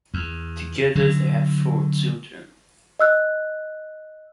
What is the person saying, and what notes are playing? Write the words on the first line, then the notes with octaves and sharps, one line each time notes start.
Together they have four children.
E2
D3 F#3
D#5 E6 F#6